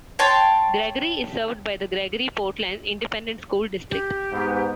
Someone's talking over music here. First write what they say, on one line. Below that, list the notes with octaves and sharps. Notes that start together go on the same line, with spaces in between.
Gregory is served by the Gregory-Portland Independent School District.
C#5 G5 A5 C6
G4
G#2 B3